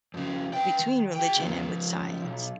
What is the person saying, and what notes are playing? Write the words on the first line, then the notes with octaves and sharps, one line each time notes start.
between religion and with science.
F2 C#3
B4 G5
D#3
G#4 G5
C#2 F3
B1